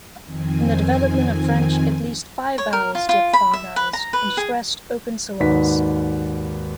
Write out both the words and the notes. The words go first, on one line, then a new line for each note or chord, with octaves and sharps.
In the development of French, at least five vowels diphthongized in stressed, open syllables.
F2 D#3 C4 G#5
C#5
A#4
F4
F4
B5
E5
B4
A#5
B4
G#4
D#2 G#2 F#4 B4 D5 B6